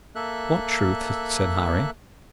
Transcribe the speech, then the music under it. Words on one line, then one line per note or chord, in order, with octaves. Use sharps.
"What truth?" said Harry.
A#3 A4 E5 F#6